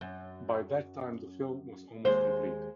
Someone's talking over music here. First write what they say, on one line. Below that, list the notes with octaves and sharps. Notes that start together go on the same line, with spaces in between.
By that time the film was almost complete.
F#2
D#2 G#3 C5